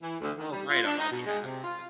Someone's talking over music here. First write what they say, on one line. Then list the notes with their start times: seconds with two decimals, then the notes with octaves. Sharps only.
Oh, right, on all the apps and
0.02 E3
0.21 D2
0.38 D#3
0.52 G3
0.70 F4
0.85 D4
0.98 D#4
1.11 B2
1.26 G#3
1.45 C3
1.64 F4